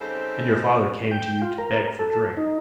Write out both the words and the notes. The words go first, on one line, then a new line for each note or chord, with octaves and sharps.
And your father came to you to beg for drink.
C#3 G3 C4 D#4 A4 C5
G5
F4
A#4
A4
D#4